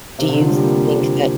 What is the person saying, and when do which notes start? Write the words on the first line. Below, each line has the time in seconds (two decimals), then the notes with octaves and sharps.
do you think that
0.19 C3
0.29 D3
0.40 F3
0.50 G3
0.61 A#3